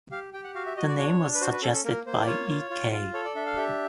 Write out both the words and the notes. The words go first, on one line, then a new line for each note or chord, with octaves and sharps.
The name was suggested by E. K.
G4 F5
G4 G5
F#5
F#4 F5
E5
F#4 D#5
D5
D4 C#5
D4
B4
F#4 C5
B4
C#4 A4
A4
A#3 A#4
A#3 C5
D5
F4 C#5
F4
F4
F4
A4 C#5
D5
D4 E5
F5
G4 E5